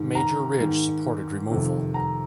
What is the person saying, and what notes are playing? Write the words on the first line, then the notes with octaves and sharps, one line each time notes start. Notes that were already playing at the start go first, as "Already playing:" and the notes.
Major Ridge supported removal.
Already playing: G#2 D#3
A#5
G#2 D#3
F2 C3 D#3
A#5